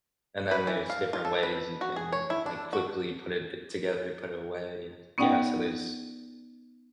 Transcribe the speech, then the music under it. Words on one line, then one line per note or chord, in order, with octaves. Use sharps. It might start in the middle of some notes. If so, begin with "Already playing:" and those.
and then there's different ways you can, like, quickly put it t together put it away, yes. Yeah, so there's
B4
E3
F5
F4
A4
B4
F#4
G#4
C#5
E4
D4
F#4
B3 C#4 D#4 D5 F#5 G5